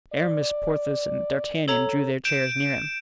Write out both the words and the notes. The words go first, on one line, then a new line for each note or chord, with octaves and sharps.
Aramis, Porthos and D'Artagnan drew their chairs near him.
D5
A4 C#5 A#5
G6 D7 E7